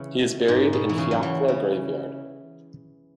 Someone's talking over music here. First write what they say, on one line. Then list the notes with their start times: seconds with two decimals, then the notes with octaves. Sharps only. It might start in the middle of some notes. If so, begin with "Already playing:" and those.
He is buried in Fiacla graveyard.
Already playing: C#3 E3
0.48 G#2
0.73 B2
0.89 E3
0.98 C#3
1.11 F#3
1.23 E3
1.48 C#3